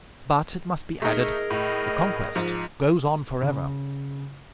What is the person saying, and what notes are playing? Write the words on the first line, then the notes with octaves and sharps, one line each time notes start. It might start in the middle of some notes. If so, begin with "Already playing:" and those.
But, it must be added, the conquest goes on forever.
A3 D#4 G#4 A#4 D#5
A2
G#2 F3
C#3